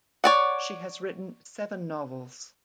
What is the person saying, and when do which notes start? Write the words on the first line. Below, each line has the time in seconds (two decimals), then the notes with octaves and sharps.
She has written seven novels.
0.24 C#5 D5 F#5